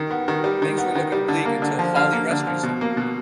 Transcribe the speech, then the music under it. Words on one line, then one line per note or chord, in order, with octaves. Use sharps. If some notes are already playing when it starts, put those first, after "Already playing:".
Things were looking bleak until Holly rescues him.
Already playing: D#3
B3
D#3
G3
D#3
B3
D#3
G3
D3
A#3
D3
F3
D3 F5
A#3
D3
F3
B2
A#3
B2